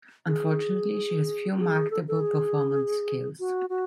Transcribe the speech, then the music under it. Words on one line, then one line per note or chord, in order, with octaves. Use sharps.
Unfortunately, she has few marketable performance skills.
G#4
F#4
G#4
A4
A4
G#4
F#4
F#4